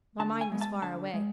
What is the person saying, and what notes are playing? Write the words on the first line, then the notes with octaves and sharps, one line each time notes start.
My mind was far away.
D3 A5
G#5
G#3 B3
A5
D3 A5
G#3